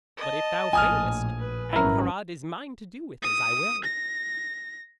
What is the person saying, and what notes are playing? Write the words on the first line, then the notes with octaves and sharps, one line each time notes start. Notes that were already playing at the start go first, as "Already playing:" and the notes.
But if thou failest, Angharad is mine to do with as I will.'
D#5 A5
A#1 A2 G#5 D#6 F6
B4
G#1 F#3 C#4 E4 A#4
D#6
A#6